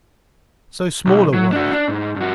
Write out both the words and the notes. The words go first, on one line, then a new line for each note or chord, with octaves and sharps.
So small a world!
B1
F#3
D4 F#4
D4
G#2
G2 F#4